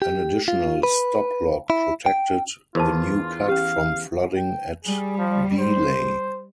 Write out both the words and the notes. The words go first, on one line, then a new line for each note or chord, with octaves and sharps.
An additional stop lock protected the new cut from flooding at Beeleigh.
G4
F4
B4
E4
G5
E2 F4 A#4 C5 A5
C#4 G4 F5
G5
G3 G#4
F3
C5